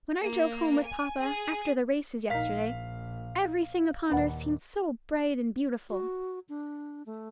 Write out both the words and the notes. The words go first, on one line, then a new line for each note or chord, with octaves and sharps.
When I drove home with papa, after the races yesterday, everything upon earth seemed so bright and beautiful.
A#3
G#5
G#4
A#1 D#4 A#4 F5 B6
D#2 A#2 D4 B4 F#5
F#4
D4
A3